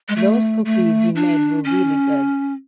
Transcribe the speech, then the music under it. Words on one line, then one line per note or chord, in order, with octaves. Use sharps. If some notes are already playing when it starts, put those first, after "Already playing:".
Those cookies you made were really good.
G#3
A3
A3
D4
C#4